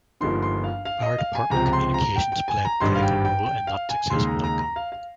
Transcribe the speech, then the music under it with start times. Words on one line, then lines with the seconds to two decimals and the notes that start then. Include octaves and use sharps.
Fire department communications play a critical role in that successful outcome.
0.20 G1 G2 F3 A#3 D#4 C6
0.42 C6
0.64 F5
0.85 F5
1.02 D#5
1.18 F5
1.35 G#5
1.50 C#2 C3 F3 C4 A#5
1.73 C6
1.94 A#5
2.16 G5
2.32 G5
2.48 G#5
2.65 A#5
2.80 G#1 G2 G3 C6
2.95 F5
3.02 G5
3.25 G5
3.46 G5
3.67 F5
3.89 G#5
4.10 D#2 C#3 G#3 D#4 C6
4.27 A#5
4.44 A#5
4.59 A#5
4.76 F5
4.92 F5